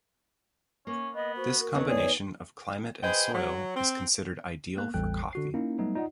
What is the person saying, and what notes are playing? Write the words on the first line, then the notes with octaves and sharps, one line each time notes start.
This combination of climate and soil is considered ideal for coffee.
A#3 C#4
B3 D#5
F#4 C5
A#4
D#2 F#3 B3 D#4
G#4 C#5 D5
G#4 B4 C5 D#5 G5
F#3
C4
A#3 B3 F#6
A1 E2 G3 A4 G5 F#6
D3 F#4 C7
A#3 C#4 D#4 E4
F#3 G3 A3 B3 D#4
D#4 F4 D5 D#5 F#5